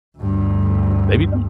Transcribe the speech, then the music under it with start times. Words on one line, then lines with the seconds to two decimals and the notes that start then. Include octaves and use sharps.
maybe not.
0.18 D2 G2